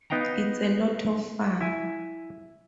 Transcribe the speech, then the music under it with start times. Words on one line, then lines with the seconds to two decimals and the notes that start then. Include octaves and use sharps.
It's a lot of fun.
0.10 B3 D#4 F5 G5 A#5
1.61 E4 G#5